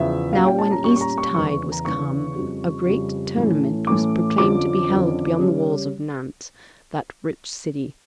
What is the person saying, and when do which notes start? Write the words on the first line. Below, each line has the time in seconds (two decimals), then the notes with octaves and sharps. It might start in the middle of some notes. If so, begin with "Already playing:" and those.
Now when Eastertide was come, a great tournament was proclaimed to be held beyond the walls of Nantes, that rich city.
Already playing: E2 C#3 F3 C#4 E5
0.33 A#2 G3 C#4 F5
0.46 G5
0.59 A5
0.71 A#5
0.84 A#2 G3 C#4 C#6
0.96 C#6
1.01 A#5
1.18 C#6
1.34 E2 C#3 E3 C#6
1.47 C#6
1.72 A#5
1.85 E2 C#3 E3 C#6
2.36 F2 C#3 G3
2.86 F2 C#3 G3
3.37 A2 E3 A3 C#4
3.87 A2 E3 A3 C#4 D6
4.38 F2 D3 F3 C#4 D6
4.88 F2 D3 F3 C#4
5.39 C#3 G3 C#4